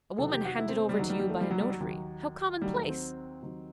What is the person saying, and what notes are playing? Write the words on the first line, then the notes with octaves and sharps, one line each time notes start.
A woman handed over to you by a notary, how commonplace!
E2 C3 D#3 F#3 A4
G4
F#4
E4
C4
C4
G3
E2 D#3 F#3
G3
G3
A3
G3
F#3
G3
F#3
D#2 D#3 F#3
D#2 D#3 F#3 G3
A3
C4
D#2 D#3 F#3